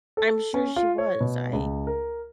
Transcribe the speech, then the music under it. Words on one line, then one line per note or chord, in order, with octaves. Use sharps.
I'm sure she was. I
A4
C#4
F4
C#5
B2
C#2
A#4